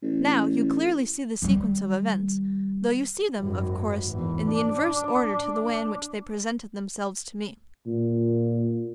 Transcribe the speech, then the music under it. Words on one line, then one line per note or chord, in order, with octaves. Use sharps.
Now you clearly see the sequence of events, though you see them, of course, in the inverse order to the way in which they presented themselves to me.
A1
D#3 G3
G#1 F#2
G#1 E2
D4
A#2